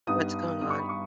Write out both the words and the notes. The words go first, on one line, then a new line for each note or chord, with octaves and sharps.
What's going on?
G2 G3 B3 D#4 D#6
G2 G3 B3 D#4 D#6
C#6
B5
C#6